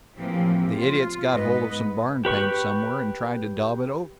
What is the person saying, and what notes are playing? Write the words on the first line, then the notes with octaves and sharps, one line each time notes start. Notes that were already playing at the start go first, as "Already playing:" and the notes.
The idiot's got hold of some barn paint somewhere, and tried to daub it over.
A2 E3 F3 A#3 C4 G4
F4
G#2 B3 B4 D#5
G4 B4 C#6